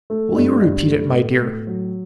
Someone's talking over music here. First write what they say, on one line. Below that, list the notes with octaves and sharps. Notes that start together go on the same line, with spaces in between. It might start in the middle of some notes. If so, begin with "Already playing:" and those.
Will you repeat it, my dear?'
A3
G2
G2
A3
A2
A2
F#3